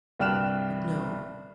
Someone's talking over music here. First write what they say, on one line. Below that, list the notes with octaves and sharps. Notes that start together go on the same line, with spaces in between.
But no.
C2 G2 G5 F6 F#6 E7